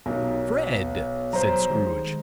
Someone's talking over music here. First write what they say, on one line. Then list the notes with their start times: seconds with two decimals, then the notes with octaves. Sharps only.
"Fred!" said Scrooge.
0.06 B1 D#4 G4 A#4
0.53 B3 F#4
1.33 F#3 C5 A#5
1.69 D#3 G#3 G4